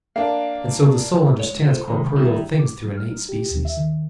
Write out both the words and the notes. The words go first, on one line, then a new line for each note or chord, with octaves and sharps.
And so the soul understands corporeal things through innate species.
A#3 D4 F5
G#3 C#5
F4 A4 C5
C3 D#3 G#3
D#3 G3 D#4 E4
D6
G3
F6
D#4
G4
D#2
E5
D#3